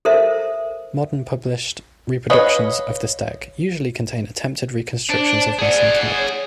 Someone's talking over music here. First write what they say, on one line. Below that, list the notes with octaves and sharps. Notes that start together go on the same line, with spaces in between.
Modern published reproductions of this deck usually contain attempted reconstructions of missing cards.
A4 A#4 C5 E5
B4 C#5 D#5 F5
D4 C5
G#4 D5 F#5
C#5